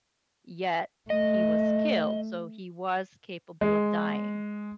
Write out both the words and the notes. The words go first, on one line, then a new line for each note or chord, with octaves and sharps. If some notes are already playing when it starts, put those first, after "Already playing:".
yet he was killed, so he was capable of dying.
A3 D#5
G#3